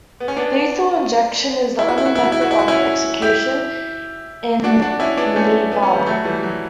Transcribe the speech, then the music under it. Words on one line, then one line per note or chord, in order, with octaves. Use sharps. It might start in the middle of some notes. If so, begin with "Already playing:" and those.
Lethal injection is the only method of execution in Nevada.
B3
C#4
B3 D4
E4
F#4
E4
F#4
E4
F#4
E4
F#4
E4
F#4
C#4 E4
E4 G4
D4 F#4
D4 F#4
C#4 E4
B3 D4
A3 C#4
B3
C#4
G3 B3
F#3 A3
E3 G3
F#3